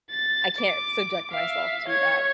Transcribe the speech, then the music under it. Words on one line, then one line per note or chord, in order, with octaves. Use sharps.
I can't subject myself to that
A6
D6
E5 F5
C#5 G#6